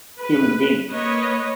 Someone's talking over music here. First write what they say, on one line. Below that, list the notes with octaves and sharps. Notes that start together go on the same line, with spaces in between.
human being.
B4
A#3 B4 C#5 D#5